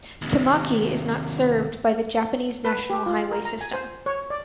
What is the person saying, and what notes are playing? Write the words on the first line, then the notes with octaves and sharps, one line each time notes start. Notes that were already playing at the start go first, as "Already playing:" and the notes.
Tamaki is not served by the Japanese national highway system.
D#2 C3
B4
G4
F4
A#4
A#5
G#5
C5
C#5
D5